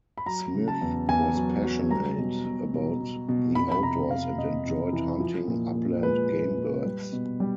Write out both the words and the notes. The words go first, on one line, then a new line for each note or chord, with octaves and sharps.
Smith was passionate about the outdoors and enjoyed hunting upland game birds.
B5
F#3 A#5
C#3
A5
E2
E2 G#5
F#3
F#3
G3 A#5
B2
B2
B2
B2
B2
F2 B5
B5
C3 A#5
F2 F5
C3 D#5
F2
E3
F3
A#2
A#2
G#3 B4
A#2
A#2
G3
B2
G3